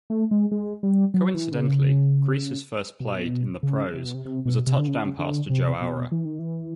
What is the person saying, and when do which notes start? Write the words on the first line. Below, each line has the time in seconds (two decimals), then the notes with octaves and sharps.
Coincidentally, Griese's first play in the pros was a touchdown pass to Joe Auer.
0.10 A3
0.31 G#3
0.51 G#3
0.83 G3
1.14 F#3
1.35 E3
1.52 D3
1.56 C#3
3.00 B2
3.63 C#3
3.94 C3
4.04 B2
4.14 C3
4.25 C3
4.45 B2
4.67 C3
4.78 D3
4.88 C#3
5.19 D3
5.50 C3
5.81 B2
6.12 E3
6.25 D#3
6.39 E3